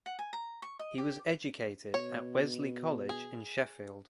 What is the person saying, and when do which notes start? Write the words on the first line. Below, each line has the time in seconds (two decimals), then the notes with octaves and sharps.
He was educated at Wesley College in Sheffield.
0.06 F#5
0.19 G#5
0.33 A#5
0.62 C#6
0.79 D#5
0.98 G4
1.94 B2 C#5
3.09 G#4